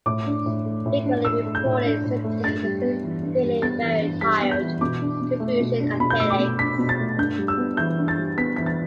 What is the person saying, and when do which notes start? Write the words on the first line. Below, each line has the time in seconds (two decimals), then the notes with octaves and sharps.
Frequently reported symptoms include feeling very tired, confusion, and headaches.
0.06 A2 D6
0.27 D4
0.46 A2
0.65 A3
0.86 A2
1.06 D4
1.25 A2 E6
1.46 A3
1.55 G6
1.65 A2
1.85 D4
2.05 A2
2.24 A3
2.44 G2 A6
2.63 G3
2.83 B3
3.03 E3
3.23 G2
3.43 G3
3.62 B3 A6
3.83 E3
4.01 G2
4.21 G3 B6
4.42 B3
4.51 G6
4.61 E3
4.81 B2 D6
5.02 D4
5.21 B2
5.40 A3
5.60 B2
5.80 D4
6.00 B2 B5
6.10 G6
6.20 A3 E6
6.30 D6
6.39 B2
6.59 D4 B6
6.79 B2
6.89 A6
6.99 A3
7.18 G2 G6
7.38 G3
7.48 E6
7.58 B3
7.77 E3 G6
7.98 G2
8.08 A6
8.18 G3
8.37 B3 B6
8.56 E3 B6
8.66 A6